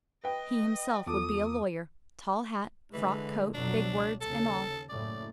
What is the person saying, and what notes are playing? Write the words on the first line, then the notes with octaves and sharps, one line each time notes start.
He himself would be a lawyer--tall hat, frock coat, big words and all.
B4 D#5 G5
E2 F3 A4 D6 D#6
D3 E3 G#3
F2 B2 F#3 D4
C#2
D#2 C#3 A4
F#1 A2 D5